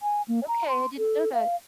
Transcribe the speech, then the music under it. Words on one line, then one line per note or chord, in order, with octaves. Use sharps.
Okay, I didn't know that.
G#5
A#3
A#5
C6
A4
F5